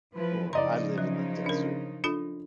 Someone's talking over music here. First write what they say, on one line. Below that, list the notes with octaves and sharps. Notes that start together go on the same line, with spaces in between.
Cool, I live in the desert.
F3 E4 B4
C#3 F3 D#4 D5 D#5 A#5 C6
F#3
D4 A#4
D4 F4 A4